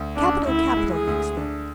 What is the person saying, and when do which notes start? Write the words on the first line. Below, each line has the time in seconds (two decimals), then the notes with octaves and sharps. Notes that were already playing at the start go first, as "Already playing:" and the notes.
"Capital! capital!" he exclaimed.
Already playing: D2
0.16 C#3 D4
0.46 D2 E4
0.77 G#3
0.92 G#4
1.07 D2
1.37 D4